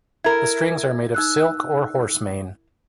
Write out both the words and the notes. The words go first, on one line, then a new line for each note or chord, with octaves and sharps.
The strings are made of silk or horse mane.
E4 A#4 G#6
D#4 E6 F#6